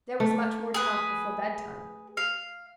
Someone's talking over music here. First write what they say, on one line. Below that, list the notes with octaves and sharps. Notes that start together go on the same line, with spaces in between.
There was much more talk before bedtime.
A3
G#4 B4
F5